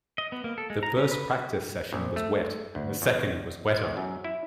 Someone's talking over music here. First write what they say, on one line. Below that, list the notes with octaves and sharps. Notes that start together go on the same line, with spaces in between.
The first practice session was wet, and the second was wetter.
D#5
B3
A#3
A4
G#3
A#5
C#4
B4
F#4
A#1
A3
D2
E2
E2
F#2
E4